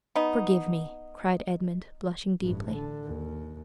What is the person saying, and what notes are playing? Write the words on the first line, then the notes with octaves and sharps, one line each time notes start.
"Forgive me!" cried Edmond, blushing deeply.
B3 D#4
A1 G2
D3
D#2